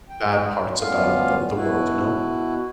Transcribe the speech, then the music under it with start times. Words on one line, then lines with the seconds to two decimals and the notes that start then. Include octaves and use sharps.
bad parts about the the world, you know?
0.09 G5
0.80 D2 G3 B3 C#4 F4 F5
1.56 B2 E4 F#4